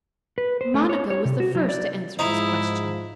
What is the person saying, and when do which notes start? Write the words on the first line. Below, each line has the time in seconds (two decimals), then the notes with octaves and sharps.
Monica was the first to answer this question.
0.38 B4
0.61 C5
0.74 A3
0.89 C#5
1.10 C#5
1.25 C3
1.40 F#4
1.55 F#3
1.69 D5
2.19 G#2 F3 D#4 E4